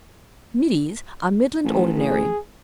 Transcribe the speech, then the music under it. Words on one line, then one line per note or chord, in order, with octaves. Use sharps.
Middies are Midland Ordinary.
A1
G#4